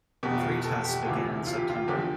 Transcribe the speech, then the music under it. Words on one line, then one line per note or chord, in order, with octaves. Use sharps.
Three tests began in September.
F1 E2 B2 G4
F4
G4
A4
G4
E1 D2 C3 E3 F4
F4
G4
F4
E2 D3 F3 G4